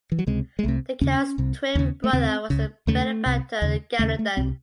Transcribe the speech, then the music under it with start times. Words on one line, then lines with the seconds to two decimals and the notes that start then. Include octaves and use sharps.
The Count's twin brother was the benefactor of Garendon.
0.12 E3
0.19 F#3
0.27 C#2 C3 G#3
0.59 G#3
0.63 C2 C3 A3
1.01 D#2 C#3 C#4
1.38 C2 C3
1.75 D#2 C#3
2.04 A3
2.13 D#2 C#3 C4
2.50 C#2 C#3
2.87 D#2 C#3 A3
3.26 C2 C3
3.62 D#2 C#3
3.99 D#2 C#3 A3
4.19 A3
4.37 C2 C3 C4